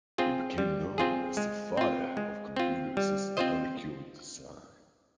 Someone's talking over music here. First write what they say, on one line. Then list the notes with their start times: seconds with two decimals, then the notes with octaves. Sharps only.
He became known as the 'father of computer-assisted molecule design.
0.18 C4 F4 G#4
0.58 G3
0.98 C4 F4 G#4
1.37 G#3
1.77 C4 F4
2.17 G#3
2.56 C4 F4
2.97 G3
3.37 C4 F4 C5 D#5